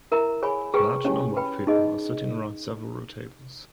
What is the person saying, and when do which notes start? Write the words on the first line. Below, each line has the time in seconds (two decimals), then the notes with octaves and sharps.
A large number of people are sitting around several tables.
0.12 E4 A#4 E5 A#5
0.42 G#4 C#5 G#5 B5
0.74 G#4 B4 G5 A#5 C#6
1.05 C#4 E4 G4 C#5 G#5
1.36 B4 G5 B5
1.67 D#4 G#4 D#5